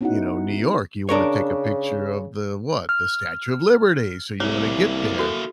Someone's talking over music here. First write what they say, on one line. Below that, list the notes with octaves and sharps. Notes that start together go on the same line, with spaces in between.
you know, New York, you wanna take a picture of the, what, the Statue Of Liberty, so you wanna get there.
B3 C#4 D#4 E4 F#4 F#5
C#3 D4 A#4 C#5
F6
C2 A#3 E4 C#5
F#4 A4 D#6